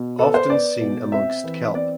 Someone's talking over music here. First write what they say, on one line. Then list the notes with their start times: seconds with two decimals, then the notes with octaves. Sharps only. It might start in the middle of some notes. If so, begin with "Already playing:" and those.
Often seen amongst kelp.
Already playing: B2
0.18 B3 A4
0.34 C5
0.50 B3 D5
0.81 B2
1.12 C4 E5
1.44 E3
1.75 C4 D5